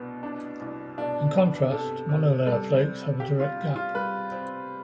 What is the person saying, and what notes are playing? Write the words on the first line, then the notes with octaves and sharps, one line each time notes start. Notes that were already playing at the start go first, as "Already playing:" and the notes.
In contrast, monolayer flakes have a direct gap.
Already playing: C2 B2 B3 D4
D4
C2
B2 D4
B3
C3 A4
C3
G3 A4
C4
C3 G4
F4
C3
F4
G3 B4
C4